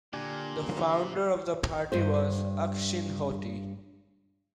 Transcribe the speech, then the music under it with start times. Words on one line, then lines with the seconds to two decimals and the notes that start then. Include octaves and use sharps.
The founder of the party was Ukshin Hoti.
0.13 A#2 D3 D4 G4 G#5
1.92 G2 C5